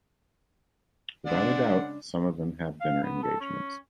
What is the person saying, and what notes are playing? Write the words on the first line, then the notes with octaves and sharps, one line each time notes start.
Without a doubt, some of them have dinner engagements.
C#3 G#3 D4 D5 F#5
F5
B3
A4
C#4